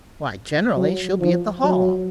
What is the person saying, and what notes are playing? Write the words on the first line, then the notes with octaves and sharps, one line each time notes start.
"Why, generally she'll be at the Hall."
F#3
F3
F#3